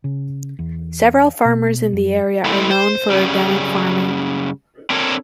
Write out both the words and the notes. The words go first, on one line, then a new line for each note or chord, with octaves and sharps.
Several farmers in the area are known for organic farming.
C#3
E2
B2
F#2
G#3 A3 C4 E4 A4
C5
F#2 C#3 G3
C4 D4 A4 A#4 C#5